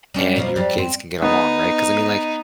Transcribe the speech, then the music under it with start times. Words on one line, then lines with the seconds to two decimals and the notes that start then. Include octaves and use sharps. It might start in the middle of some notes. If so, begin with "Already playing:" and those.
and your kids can get along, right, 'cause I mean, like
0.14 G3 C#4 D4
0.36 B2 F3 A#3
0.56 F2 G3
0.78 C4
1.22 B3 D#4